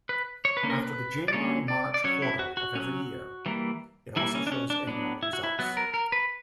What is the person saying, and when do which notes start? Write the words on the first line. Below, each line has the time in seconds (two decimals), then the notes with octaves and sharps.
After the January-March quarter of every year, it also shows annual results.
0.09 B4
0.45 C#5
0.57 B4
0.63 D3 A#3 C#4
0.70 A#4
0.83 B4
1.28 D5
1.33 D3 A#3 C#4 C#5
1.68 D5
1.94 D5
2.04 F#3 C#4 C#5
2.22 E4
2.39 F#4
2.57 F#4
2.75 F#3 C#4
3.46 E3 G3 A#3
4.16 E3 G3 A#3 E4
4.35 C#4
4.47 D4
4.52 C#4
4.70 D4
4.87 F#3 B3 D4
5.23 E4
5.33 F#4
5.44 E4
5.59 F#3 B3 F#4
5.77 A#4
5.94 A#4
6.12 B4